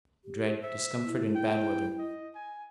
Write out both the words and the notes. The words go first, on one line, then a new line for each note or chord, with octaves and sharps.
I dread discomfort and bad weather.
G4
C5 E5
E4
G5
D#5
G#5